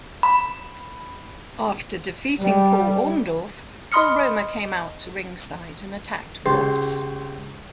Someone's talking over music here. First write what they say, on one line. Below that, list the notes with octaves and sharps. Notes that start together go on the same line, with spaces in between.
After defeating Paul Orndorff, Paul Roma came out to ringside and attacked Watts.
B5
G3
D#5 B5 C6 D#6 F6 C#7
C#2 G4 C6